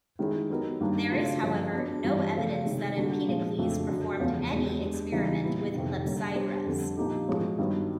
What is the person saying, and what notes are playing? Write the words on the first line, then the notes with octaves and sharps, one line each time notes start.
There is however, no evidence that Empedocles performed any experiment with clepsydras.
D#3 G#3 C#4 E4 G#4
F#3 B3 D#4 G4 A#4
G2 D#3 G3 A#3 D4
C#3 F#3 A3 D4 F4
G2 D3 F3 A#3 C#4
F#3 B3 D4
G2 E3 G3 C4 F4
C#3 F3 A3 C#4 F4
C3 D#3 G#3
D3 G3 A#3 D4 F#4
A#2 F3 G#3
F2 C#3 F#3 A3 D4
F#2 D3 F#3
E2 C#3 F3 A3 C#4
E2 B2 G#3
G#3 B3 D4 G4
C#3 E3 G3 B3 D#4
A#2 G3 B3 E4
F2 C3 D#3
D3 G3 A#3 C#4
G3 B3 D4 G4 C5
F2 D3 G3
A#2 F3 A#3 D#4 G4
G#2 F3 G#3 C#4 F#4
G2 D#3 F#3 B3